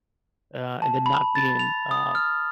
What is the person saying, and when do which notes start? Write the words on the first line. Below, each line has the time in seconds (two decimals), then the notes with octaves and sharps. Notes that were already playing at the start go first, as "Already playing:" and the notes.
uh, and then not being, uh
0.82 A5
1.06 B5
1.35 A6
1.59 F7
1.91 D#6
2.15 F6